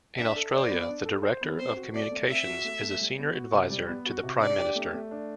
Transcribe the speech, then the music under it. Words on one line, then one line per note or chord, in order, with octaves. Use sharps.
In Australia, the director of communications is a senior adviser to the Prime Minister.
D4 E5
A4
C5 D5
B3
D4
A4
C5
B3
C4 C5
F#4
A3 D5
A3
C4 E5
F#4
A3
A3
G3
B3
F#4
C3
G3
B3
F#4
C3
D4 D5
G4
A3
A3
D4